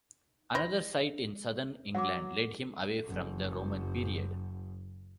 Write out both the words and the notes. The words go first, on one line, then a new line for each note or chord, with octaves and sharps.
Another site in southern England led him away from the Roman period.
E4 C5 A#6
F#3 F#5 C#6 D6
F#1 F#2